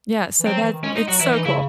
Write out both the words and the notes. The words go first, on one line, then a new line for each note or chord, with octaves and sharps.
Yeah. So that it's so cool.
E3
F#3 C4
E3
D#3
G#3 C#4
G#3 D#4
F#3 F#4
E3 E4
E3 D#4
C#3 E4